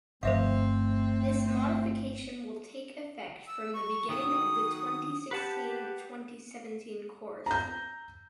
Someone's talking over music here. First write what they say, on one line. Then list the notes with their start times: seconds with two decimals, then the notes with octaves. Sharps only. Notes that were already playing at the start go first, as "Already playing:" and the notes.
This modification will take effect from the beginning of the twenty sixteen-twenty seventeen course.
0.23 G1 F3 A3 C4 C5 E5 F5
3.47 E6
3.74 C#6
4.09 D#3 F#3 G5 D#6
5.31 G4 B4 F#5 A5
7.46 A#5 G6